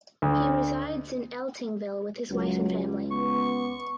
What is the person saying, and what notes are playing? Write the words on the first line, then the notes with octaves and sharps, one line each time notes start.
He resides in Eltingville with his wife and family.
D2
C#2 F#3
B3 C#6